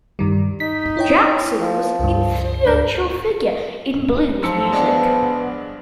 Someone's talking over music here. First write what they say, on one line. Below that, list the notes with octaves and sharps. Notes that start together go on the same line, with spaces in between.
Jackson was an influential figure in blues music.
G2 D#3 G3
D#4 B6
E4 C#5 G5
F3
C#2 G2
D2 G#2 D4 G6
G#2 F3 F#3 E6 C#7
G2 G#3 B3 D4